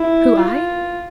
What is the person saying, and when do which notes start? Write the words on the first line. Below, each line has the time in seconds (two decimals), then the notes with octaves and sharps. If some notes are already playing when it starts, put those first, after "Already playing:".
"Who, I?"
Already playing: E4
0.37 F4